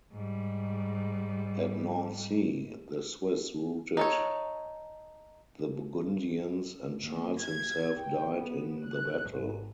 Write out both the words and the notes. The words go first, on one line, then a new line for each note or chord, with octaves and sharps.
At Nancy, the Swiss routed the Burgundians, and Charles himself died in the battle.
G#2 G3
D#4 A4 C#5
D#2
G#6
G5
B3
F#6
G#1